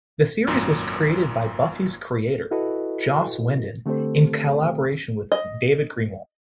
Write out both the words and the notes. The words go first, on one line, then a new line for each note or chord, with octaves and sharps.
The series was created by "Buffy"'s creator Joss Whedon in collaboration with David Greenwalt.
G#1 F#2 A#2
E4 F#4 A4 B4 D#5
D3 A3 C4 G4 A4 C5
D#5